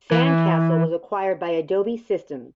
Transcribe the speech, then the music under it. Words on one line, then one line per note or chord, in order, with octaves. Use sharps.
Sandcastle was acquired by Adobe Systems.
E3